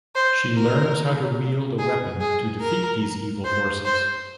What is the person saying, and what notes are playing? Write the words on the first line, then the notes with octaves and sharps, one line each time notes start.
She learns how to wield a weapon to defeat these evil forces.
C5
A#4
G#4
G#4
A#4
C5
C5